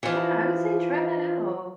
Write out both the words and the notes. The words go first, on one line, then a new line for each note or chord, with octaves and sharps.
Yeah, I would say try that out.
E3 F3